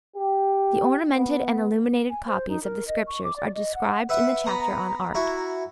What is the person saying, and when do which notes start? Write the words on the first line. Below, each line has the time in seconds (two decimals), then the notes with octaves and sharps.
The ornamented and illuminated copies of the Scriptures are described in the chapter on Art.
0.15 G4
1.14 B3
2.09 G#5
2.26 C5
2.48 D#4
2.63 A#4
2.87 D#5
3.06 C#6
3.24 D6
3.36 D5
3.54 D#5
3.74 F#5
4.09 B4 E5 F#5
4.47 B3 A#5 B5
5.15 E4 F#4